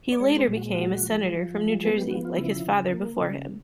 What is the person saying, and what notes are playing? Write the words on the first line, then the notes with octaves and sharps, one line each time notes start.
He later became a Senator from New Jersey like his father before him.
D5
G#3 C#5
C5
A#2
F#4
G#3 F#4
F3
F3
G#3
B3 G#4
G4
F3 F#4
F4
C#3 E4
C#3
A#3
C#3